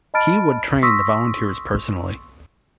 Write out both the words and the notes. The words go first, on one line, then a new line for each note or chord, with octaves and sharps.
He would train the volunteers personally.
D#5 A5 B5 F6 A6 D7
C6 C#6 D#6 E6 A#6 B6